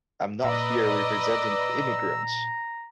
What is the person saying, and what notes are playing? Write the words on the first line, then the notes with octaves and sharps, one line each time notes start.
I am not here representing immigrants.
A#2 B4 D5 D#5 A#5 E6